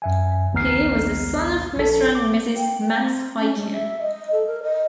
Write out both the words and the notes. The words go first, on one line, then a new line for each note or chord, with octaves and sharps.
He was the son of Mr. and Mrs. Max Hiken.
F#2 E5 G#5
A#1 D#2 B3 A#5 F6 C7
A#1 A4
D6
G5
C4
C#4
G#3
E5
D#5
A4
A#4
D#5